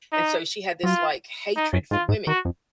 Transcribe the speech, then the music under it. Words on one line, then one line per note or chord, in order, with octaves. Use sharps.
and so she had this, like, hatred for women,
D#4
F#3 F4
D#4
F#2
G#2 F4
G#2
D#3 F#4
F2